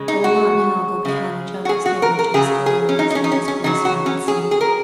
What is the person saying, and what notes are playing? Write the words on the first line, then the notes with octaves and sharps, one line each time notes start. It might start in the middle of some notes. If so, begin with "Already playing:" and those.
I will not now go behind the general statement to explore the reason of this correspondency.
Already playing: C#3 G#3
D#4
F#4
C#3 G#3
F#4
G#4
F#4
A#4
A#4
C#3 F#3 G#4
G#4
C#4
D#4
D#4
C#4
D#4
C#4
C#4
C#3 F#3 D#4
F#4
C#4
G#4
G#4
A#4